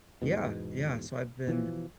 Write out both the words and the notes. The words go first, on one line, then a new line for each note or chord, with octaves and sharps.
Yeah, yeah, so I've been
E2 G#2 B2
B2 E3 F3